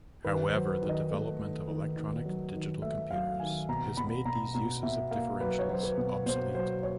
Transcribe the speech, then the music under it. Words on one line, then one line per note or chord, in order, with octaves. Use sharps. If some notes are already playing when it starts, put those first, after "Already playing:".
However, the development of electronic digital computers has made these uses of differentials obsolete.
D#3 B4
C5
F#3
B4
D#3
D#5
A3
D#3
D#3
D#3
F#3
D#3
A3 E5
F#3 F5
D#3 G#5
B2 A#5
B2 B5
B2 A#5
B2 A#5
B2 E5
A#3 F5
F#3 B4
C#5
F#3 C5
B4
B2
B2 C5
F#3 C5
C#5